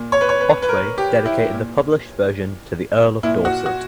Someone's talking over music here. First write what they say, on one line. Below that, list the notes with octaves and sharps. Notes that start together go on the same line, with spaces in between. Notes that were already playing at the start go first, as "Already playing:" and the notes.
Otway dedicated the published version to the Earl of Dorset.
Already playing: A#2
C#5
B4
C#5
B4
B4
A#4
G4
E4
A#2
A#2 E4
F#4
F#4